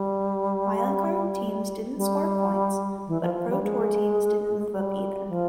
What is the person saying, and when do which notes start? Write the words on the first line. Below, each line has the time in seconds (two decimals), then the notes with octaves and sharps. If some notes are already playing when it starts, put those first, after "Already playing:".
Wildcard teams didn't score points, but ProTour teams didn't move up either.
Already playing: G3
1.97 G3
3.08 E3
3.21 F3
3.34 F3
3.49 G3
3.63 G#3
4.74 G3
5.29 F3